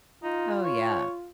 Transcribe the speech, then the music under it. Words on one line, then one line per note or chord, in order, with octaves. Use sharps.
Oh, yeah.
D#4 F4
C#5